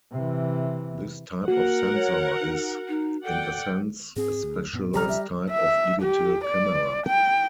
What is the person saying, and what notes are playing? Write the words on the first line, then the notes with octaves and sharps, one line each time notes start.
This type of sensor is, in essence, a specialized type of digital camera.
C3 E3
A#3 F#4 A#4 F#5
C#5
D#4
D#4
A4 D5 F#5 G5
G#2 C4 G#4
D2
F#2 A#2 B3
B1 C#3 F3 G3 A4 A#5 F6
E5
E5
G4
D5
G5